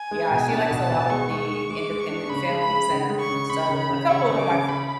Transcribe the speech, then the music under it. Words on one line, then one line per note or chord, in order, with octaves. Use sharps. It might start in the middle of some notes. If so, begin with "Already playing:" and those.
yeah, she likes a lot of the independent films, and, so, a couple of 'em I've
Already playing: G#5
G#3
B2
D4 A5
B2
B2
G#3 C#6
G#3
G#3
G#3 D6
G#3
C#6
D4
C#3 B5
G#3
B5
G#3
C#3
G#3
C#6
C#3
C#3 B5
C#3
B5
C#3
C#3 C#6
C#3
D6
C#3
C#3 B5